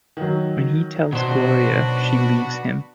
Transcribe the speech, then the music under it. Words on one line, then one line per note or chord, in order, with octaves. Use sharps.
When he tells Gloria, she leaves him.
D#3 F#3
B2 B3 D4 F#4 C5